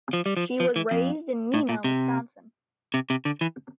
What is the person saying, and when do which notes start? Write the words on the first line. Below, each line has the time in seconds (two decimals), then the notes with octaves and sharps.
She was raised in Neenah, Wisconsin.
0.13 F3
0.26 G3
0.37 F3
0.60 F3
0.76 E3
0.91 F2
1.54 A2
1.69 A#2
1.84 C3
2.94 C3
3.10 C3
3.25 D3
3.41 E3